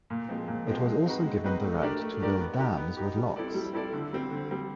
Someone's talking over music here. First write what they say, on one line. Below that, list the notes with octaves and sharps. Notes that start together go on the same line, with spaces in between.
It was also given the right to build dams with locks.
A#2
F3 G#3 C4
A#2
F3 G#3 C4
G#3
C4 D#4 F#4 B4
G#3
C4 D#4 F#4 B4
A3
D4 G4 A#4 D5
A3
D4 G4 A#4 D5
B3
D#4 G4
B3
D#4 G4
G3
C4 E4 A4 D5
G3
C4 E4 A4 D5
D3
G3 C4
D3
G3 C4